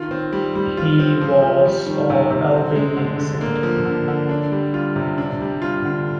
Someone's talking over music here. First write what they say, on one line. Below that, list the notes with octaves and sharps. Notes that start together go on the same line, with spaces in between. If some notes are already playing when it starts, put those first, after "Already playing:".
He was of Albanian descent.
Already playing: D#3 F4
C4
G3
G3
F4
C4
F3
F3
G3
D#3
C3
C3
C4
G#3
D3
D3
A#3
F3
D3
D3
D4
G3
F4
C3
D4
G3
F4
D3